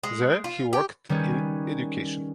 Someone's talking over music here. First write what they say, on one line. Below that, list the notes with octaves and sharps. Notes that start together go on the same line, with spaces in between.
There he worked in education.
G#3
F4
G4
D#3 G3 C#4 G#4 B4